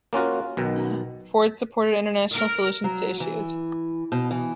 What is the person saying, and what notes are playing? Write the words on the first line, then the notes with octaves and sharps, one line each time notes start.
Ford supported international solutions to issues.
A#3 C#4 F4 F#4
B1 B2 D#3
A#4
F#3
E3
B2
E3